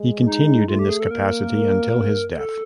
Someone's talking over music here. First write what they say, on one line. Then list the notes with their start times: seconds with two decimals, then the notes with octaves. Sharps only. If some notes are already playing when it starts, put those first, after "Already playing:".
He continued in this capacity until his death.
Already playing: G#3
0.26 D#4
0.68 A3 F4
0.79 G4
0.89 G#4
1.00 A4
1.11 A#3 A#4
2.37 A4